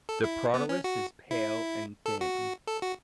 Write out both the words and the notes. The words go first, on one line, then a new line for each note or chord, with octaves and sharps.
The prothallus is pale and thin.
A4
E4
B3
C#4
F#4
E4
A4
F#4
A4
F#4